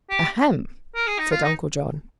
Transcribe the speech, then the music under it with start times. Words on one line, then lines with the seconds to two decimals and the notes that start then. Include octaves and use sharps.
"Ahem!" said Uncle John.
0.11 G4
0.96 A#4
1.07 G#4
1.19 D#4
1.31 F4
1.43 D#4